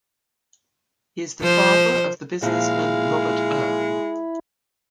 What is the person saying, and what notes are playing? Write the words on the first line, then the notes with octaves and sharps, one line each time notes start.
He is the father of the businessman Robert Earl.
F3 C5
A#2 F3 G#3 E4 F5